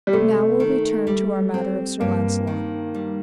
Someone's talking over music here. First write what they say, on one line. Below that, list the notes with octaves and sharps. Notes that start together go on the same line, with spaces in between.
Now will we turn to our matter of Sir Launcelot.
G3
C3 A3
D#3
G3
C4
G2 A#3
D#3
G3